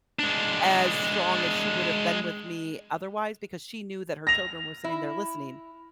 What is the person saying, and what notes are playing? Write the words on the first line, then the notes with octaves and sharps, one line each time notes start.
as strong as she would've been with me otherwise, because she knew that her children were sitting there listening.
G#3 D4
A#6 F7
E4